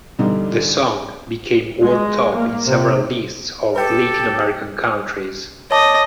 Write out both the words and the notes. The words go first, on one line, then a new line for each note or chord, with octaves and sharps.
The song became world top in several lists of Latin American countries.
E2 G2 D3 G3 D#4
G#3
A#3
C3
G4 A4 B4 G5
C#5 D#5 A5 D6